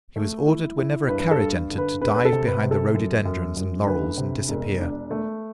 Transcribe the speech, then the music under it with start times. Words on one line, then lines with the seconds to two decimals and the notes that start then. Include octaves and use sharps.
He was ordered whenever a carriage entered to dive behind the rhododendrons and laurels and disappear.
0.16 A3
0.47 E4
0.78 E4
1.09 G2 B4
1.31 A4
1.39 G2
1.70 D3
1.78 B4
2.01 E1 B4
2.15 B4
2.25 A4
2.32 C3
2.47 B4
2.63 C3
2.71 A4
2.94 F#2
3.25 F#2
3.57 F#2
3.87 D2 B4
4.17 C3
4.49 E1
4.80 D4
5.11 A3